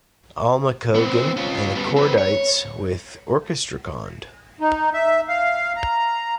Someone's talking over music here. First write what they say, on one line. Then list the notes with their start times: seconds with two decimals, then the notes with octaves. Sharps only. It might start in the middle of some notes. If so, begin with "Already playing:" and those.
Alma Cogan and The Kordites with orchestra cond.
0.95 B3 C4
1.37 C#4 F4
1.75 G3 B3
1.96 C4 B4
2.18 C#5
4.60 D#4
4.94 E5
5.28 F5
5.76 A#5